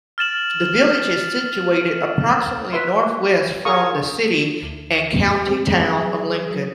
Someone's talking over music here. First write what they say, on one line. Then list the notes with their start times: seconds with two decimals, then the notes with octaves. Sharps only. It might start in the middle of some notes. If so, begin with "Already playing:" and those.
The village is situated approximately north-west from the city and county town of Lincoln.
0.18 F6 A6 E7 F#7
2.73 B4 E5 C6
3.65 G#4 A#4 F5 A#5 C#6 D#6
4.63 D2
5.27 G4
5.47 C4
5.66 G#4
5.97 F#3
6.51 F#3